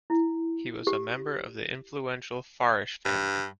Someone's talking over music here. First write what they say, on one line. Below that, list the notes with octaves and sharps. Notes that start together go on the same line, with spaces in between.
He was a member of the influential Farish family.
E4
G4
G2